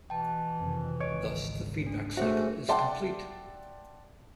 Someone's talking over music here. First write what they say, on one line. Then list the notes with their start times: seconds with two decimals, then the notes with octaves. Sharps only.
Thus the feedback cycle is complete.
0.10 B2 E3 G5 A5
0.57 F2 C3 D#3
1.01 G#1 C#2 C#3 C#5 D#5 D7
1.87 D4
2.17 A3 C#4 D4 F#4 G#4 C5 E5
2.69 D5 E5 F#5 G5 A5 C6